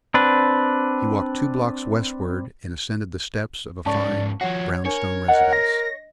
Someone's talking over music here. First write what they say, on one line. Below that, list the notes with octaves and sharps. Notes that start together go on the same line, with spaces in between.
He walked two blocks westward and ascended the steps of a fine brown-stone residence.
C4 D4 B4
G#2 C#4 D5 A5 C#6
F3 F#4 C#5 F#5
D4 A#4 C#5
A#4 D#5 F#5
A#6